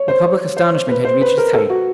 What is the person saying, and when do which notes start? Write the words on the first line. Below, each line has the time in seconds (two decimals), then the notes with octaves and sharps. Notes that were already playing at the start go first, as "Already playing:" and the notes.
The public astonishment had reached its height.
Already playing: C#5
0.08 C5
0.24 C#5
0.57 C5
0.89 B4
1.05 C5
1.21 B4
1.38 A#4
1.54 A4
1.70 F#4